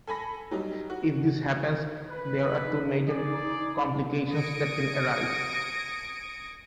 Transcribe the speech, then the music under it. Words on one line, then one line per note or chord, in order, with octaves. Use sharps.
If this happens, there are two major complications that can arise.
A4 G#5 B5 A#6
F#3 G3 D#4
F#4
B4
D#4
G#4 D5
D#6 G#6 A#6 C#7 D7